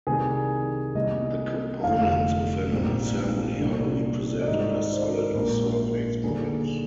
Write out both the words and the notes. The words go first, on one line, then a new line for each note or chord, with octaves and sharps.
The components within an assembly are represented as solid or surface models.
C2 C3 D#3 G3 G#4
C2 C3 G3 A#3 D#5
F1 F2 D3 F5
A#1 G#2 G3 C4 D#4
C2 A#2 G3 D4
D5
G#2 D#3 G#3 D#4 D#5
D5
C5
A#4
A#1 A#2 G#3 D4 A#4
D#2 D3 G3 G#4